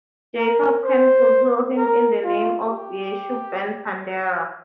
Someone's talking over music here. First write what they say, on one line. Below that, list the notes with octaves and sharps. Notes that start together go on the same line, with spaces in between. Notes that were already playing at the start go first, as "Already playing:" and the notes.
Jacob came to heal him in the name of Yeshu ben Pandera.
A#4
C5
A#4
F4
G4